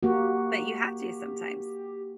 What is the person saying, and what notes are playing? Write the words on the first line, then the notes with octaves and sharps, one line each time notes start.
but you have to sometimes.
A#3 F#4 G4